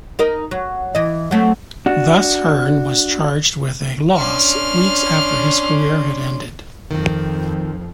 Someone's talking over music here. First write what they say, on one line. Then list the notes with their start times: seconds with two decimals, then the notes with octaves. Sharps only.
Thus Hearn was charged with a loss, weeks after his career had ended.
0.19 D#4 A#4 D#5
0.51 F#3
0.95 E3 D#5
1.31 F#3 A3 C4
1.86 D4 F#4
4.17 C#4 D4 C6 F6
6.91 F2 D#3 F3 C4